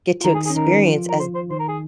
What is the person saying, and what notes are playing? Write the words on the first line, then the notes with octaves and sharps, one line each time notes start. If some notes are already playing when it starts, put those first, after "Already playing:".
get to experience as
F4
D#3 D#4 A#4
G#4
G#4
C#4
D#3 D#4 A#4
F3 F4
A#4
C5
C5
D#3 D#4 C5
A#4
G#4